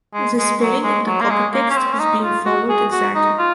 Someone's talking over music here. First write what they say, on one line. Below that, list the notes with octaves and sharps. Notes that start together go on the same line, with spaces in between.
The spelling of the copy-text has been followed exactly.
G#3
G#3
F#3
G#3
F#3
A#3
G#3
A#3
C#4
C4
C#4
D#4
F4
F#4
G#4
F#4
D#4
F4